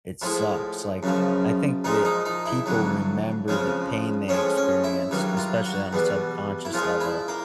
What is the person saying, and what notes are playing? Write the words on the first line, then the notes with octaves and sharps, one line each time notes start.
it sucks. Like, I think that people remember the pain they experienced, especially on a subconscious level,
A2 F3 G#3 E4
F#2 C#3 F3
A#2 F3 G#3 D#4
D#4
D#4
E4
F2 D3 F#3
F2 C#3 F3 G#3
A2 F3 G#3 C#4
C#4
E4
G2 D#3 F#3
F4
F#4
E2 B2 G3
E4
A#2 F3 G#3 F4
E4
A#3